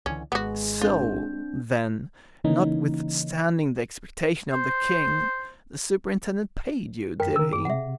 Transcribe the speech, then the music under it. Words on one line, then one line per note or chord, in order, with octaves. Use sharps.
"So, then, notwithstanding the expectation of the king, the superintendent paid you, did he?"
C#2 D3 E3 C#4
G#1 G#3 B3 F#4
C4 D4 F4 G6
C#3 E3 A#3 C#4 D#4
C5
F#2 A#4 G5 B6
D#3 A#4 E6
G2 G#4
C3 E5 F#5